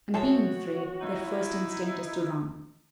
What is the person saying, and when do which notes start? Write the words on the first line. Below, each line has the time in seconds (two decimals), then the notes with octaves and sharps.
And being afraid, their first instinct is to--run.
0.14 B2 G#3 F#4 A4 C#5 E5 G5
1.00 D#4 E4